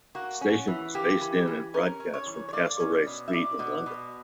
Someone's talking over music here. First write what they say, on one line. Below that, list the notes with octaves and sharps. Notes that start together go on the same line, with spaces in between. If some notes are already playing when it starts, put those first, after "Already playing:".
The station was based in and broadcast from Castlereagh Street in London.
A#3 F#4
C#4
E3
A#3 G4
E3
E3
C#4 A#4
C#4
C#5
E3
C#5
A#3 D5
C#4
B2
E5
B2 D5
B2
B2